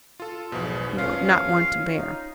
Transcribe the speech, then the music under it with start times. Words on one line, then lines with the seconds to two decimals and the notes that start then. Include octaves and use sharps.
He were not one to bear.'
0.20 F4 A4
0.52 B1 E2 G#2 B2 F3
0.98 C#4 F4 F5
1.95 D#4